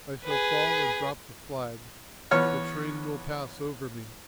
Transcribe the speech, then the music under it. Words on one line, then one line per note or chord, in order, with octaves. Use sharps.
I shall fall and drop the flag; the train will pass over me.
G#4 B4
E2 B3 C#5 F6